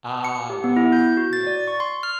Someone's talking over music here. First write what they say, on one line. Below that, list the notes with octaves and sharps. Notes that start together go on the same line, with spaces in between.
Ah, nice. Yes.
C#7
G4
B3
E4
G6
F#4
A6
D5
C#6
C6
F6